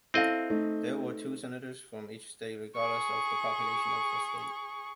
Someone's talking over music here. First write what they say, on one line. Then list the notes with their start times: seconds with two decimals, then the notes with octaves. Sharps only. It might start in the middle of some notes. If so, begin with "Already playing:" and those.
There were two senators from each state regardless of the population of the state.
0.14 C4 E4 A4 D#5 F5
0.50 A3 D#4
2.76 G#4 C#6